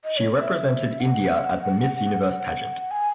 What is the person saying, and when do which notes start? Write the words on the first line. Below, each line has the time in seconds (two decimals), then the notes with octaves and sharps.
She represented India at the Miss Universe pageant.
0.04 D#5
0.17 C#5
0.41 E5
1.00 F#5
2.91 G#5